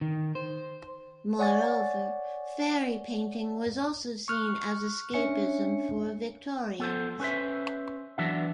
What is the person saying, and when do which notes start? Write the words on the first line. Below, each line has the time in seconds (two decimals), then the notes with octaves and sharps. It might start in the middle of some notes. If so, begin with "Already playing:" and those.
Moreover, fairy painting was also seen as escapism for Victorians.
0.01 D#3
0.35 C5
1.39 C#5 D5 F#5 G#5 C#6 A6
4.28 C#6 F6 F#6
5.14 C#4 D4 C#5 E5 G#5 C#7
6.80 B3 A4 C5
7.20 C#4 B4 C5 E5
8.18 E3 F#3 B3 D4 E5